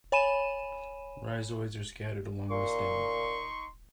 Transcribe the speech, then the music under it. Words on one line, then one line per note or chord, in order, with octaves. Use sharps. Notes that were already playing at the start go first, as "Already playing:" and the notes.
Rhizoids are scattered along the stem.
C#5 G#5 B5 D#7 E7
A#2 D#4 C6 C#6